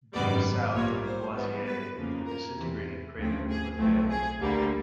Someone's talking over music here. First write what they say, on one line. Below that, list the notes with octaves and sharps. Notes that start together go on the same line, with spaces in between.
Due south of Lavoisier is the disintegrated crater Ulugh Beigh.
G#1 F#2 D#3 G3 B3 D5
A#1 A#2 G3 A#3 C#5
C5
G#2 E3 G3 B3
B4
F2 C#3 F3 A#3
A#4
E2 C3 E3
D2 C#3 F3 A3 C4
G#4
B1 A2 F3 A3 C4
G#4
D2 D3 G3 A#3